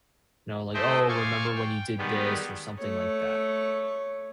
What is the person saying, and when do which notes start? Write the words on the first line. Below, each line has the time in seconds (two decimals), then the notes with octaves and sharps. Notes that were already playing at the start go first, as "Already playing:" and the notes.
you know, like, "Oh, remember when you did this," or something like that.
0.74 A3 G#4 C5 D#5 E5 G5
1.08 C5 D5 F5 G#5 C#6
1.55 G5
1.98 D#3 G3 G#3 B3
2.78 A3 C#5